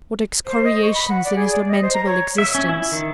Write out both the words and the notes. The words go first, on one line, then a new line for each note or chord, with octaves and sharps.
What excoriations in his lamentable existence!
C5
D#5
C#6
B5
F#5
D5
G#4
D5
D#5
C5
A#5
C#5
E5
C#4
E4
D#3